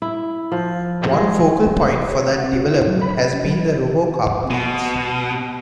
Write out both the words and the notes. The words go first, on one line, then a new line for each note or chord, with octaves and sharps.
One focal point for that development has been the Robocup Leagues.
E4
F3
G#3
C#5
F#5
C4
F#4
E4
F#3
B5
B4
C#4
F#3
B2